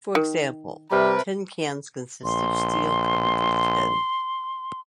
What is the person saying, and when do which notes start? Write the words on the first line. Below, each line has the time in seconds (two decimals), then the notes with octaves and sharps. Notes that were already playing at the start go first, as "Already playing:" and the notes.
For example, tin cans consist of steel covered with tin.
0.15 D#3
0.91 C3 G3 A#4 B4
2.24 A#1 C6